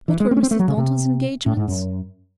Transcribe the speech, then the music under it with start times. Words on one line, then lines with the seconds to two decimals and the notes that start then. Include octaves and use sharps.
What were Mr. Thornton's engagements?
0.08 E3
0.20 G#3
0.31 C4
0.37 C#4
0.43 C4
0.51 A3
0.59 F#3
0.68 C#3
0.77 C3
1.46 A2
1.57 G#2
1.68 F#2